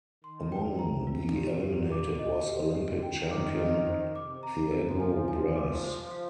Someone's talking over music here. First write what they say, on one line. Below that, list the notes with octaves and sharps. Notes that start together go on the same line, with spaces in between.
Among the eliminated was Olympic champion Thiago Braz.
D#3 C6
D3 G5
C3 A#5
A#2 F4
G4
G4
D6
D#5
D3 G4
D3 G4
D#3 G5
D6
D#5
C5
C3 D6
A#5
F3 A#4
G#5
G#5
D6
C5
F5